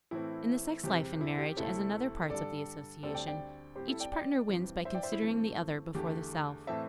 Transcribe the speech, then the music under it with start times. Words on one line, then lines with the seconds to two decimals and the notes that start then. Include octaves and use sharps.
In the sex life in marriage, as in other parts of the association, each partner wins by considering the other before the self.
0.11 A2 E3 A3 C4 E4
0.83 E2 C3 G3 C4 G4
1.21 E4
1.38 G4
1.57 D2 C3 A3 C4 E4 A4
2.30 G2 D3 G3 A4 D5
3.03 D2 D3 G3 C4 A4 D5
3.14 D5 G5
3.27 D5 G5
3.75 A2 G3 C4 G4 C5
3.88 E4 A4
4.00 D5 G5
4.12 D5 G5
4.49 G2 E3 C4
4.85 C5 E5
4.94 D5 G5
5.03 C5 E5
5.12 E4
5.22 G2 E3 A3 C4
5.95 E2 D3 A3 G4
6.67 A2 E3 A3 C4 E5 A5